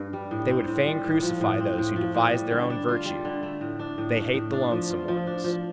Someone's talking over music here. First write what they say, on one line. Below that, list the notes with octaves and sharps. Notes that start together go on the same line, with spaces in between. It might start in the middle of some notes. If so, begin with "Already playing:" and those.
They would fain crucify those who devise their own virtue--they hate the lonesome ones.
Already playing: G2 D4
G3
A2
C4
A2
G3
A2
F3
A2
C4
A2
F3
A2
G3
D3
D4
F4
G3
D3
A3
A2
D4
A2
A3
A2
D4
F3
F4
F3
D4
F3